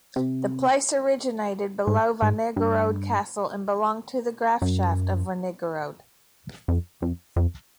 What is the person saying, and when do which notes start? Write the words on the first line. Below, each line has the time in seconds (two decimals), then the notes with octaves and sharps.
The place originated below Wernigerode Castle and belonged to the "Grafschaft" of Wernigerode.
0.16 C3
1.87 G#2
2.22 G#2
2.56 G2
4.62 F#2
6.68 F2
7.02 F2
7.36 F2